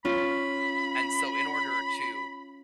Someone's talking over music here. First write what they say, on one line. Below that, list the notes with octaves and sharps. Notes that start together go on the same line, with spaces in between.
and so, in order to
C#4 F4 B5